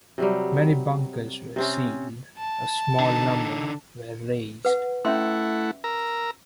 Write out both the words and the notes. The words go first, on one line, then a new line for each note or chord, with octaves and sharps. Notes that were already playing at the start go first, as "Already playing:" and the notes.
Many bunkers were sealed, a small number were razed.
C3 F#3 G3
C3 C4 C#4
A5
D3 D#4
B4 F#5
A3 C#4 E4 E5 F#5 C6
A#4 A#5 E6